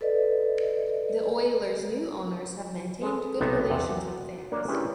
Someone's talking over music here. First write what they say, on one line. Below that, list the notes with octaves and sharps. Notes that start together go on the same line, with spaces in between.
The Oilers' new owners have maintained good relations with fans.
A4 B4 D5 D#5
G#3 A4 B4
B1 C3 B3 D#4 A5
E2 C3
F#4
A#3 D4 A#4 C#5 D5 A#5
G#3 C#4 E4 G4 B4